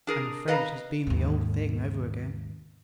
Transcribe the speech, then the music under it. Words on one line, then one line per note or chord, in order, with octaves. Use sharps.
I'm afraid it has been the old thing over again.
D4 G#4 A#4
B4 D#5 F5 A#5
D#2 G#2